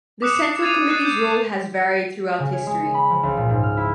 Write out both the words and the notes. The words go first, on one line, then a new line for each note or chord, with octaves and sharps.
The Central Committee's role has varied throughout history.
D6 D#6 F#6 C#7 E7
G#6 A6 C7 D#7 F7
F#6 A6 C7 D#7 E7
G6
C#3
C#5
G#3
C#7
B5
F3
C#2
A#2
G#2
F6
E4